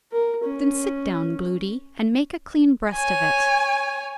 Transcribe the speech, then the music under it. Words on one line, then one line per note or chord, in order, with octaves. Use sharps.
"Then sit down, Gloody, and make a clean breast of it."
A#4
C#4
C#5 G#5